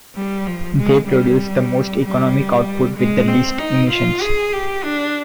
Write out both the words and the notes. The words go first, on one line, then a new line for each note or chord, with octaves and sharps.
They produce the most economic output with the least emissions.
G3
F3
G#3
G3
G3
G#3
C4
D#4
F4
G#4
G4
D4